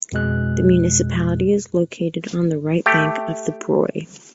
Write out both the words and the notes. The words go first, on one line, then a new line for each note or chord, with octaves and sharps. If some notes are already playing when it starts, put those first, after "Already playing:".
The municipality is located on the right bank of the Broye.
F2 B2 G#3 F#6
A3 G4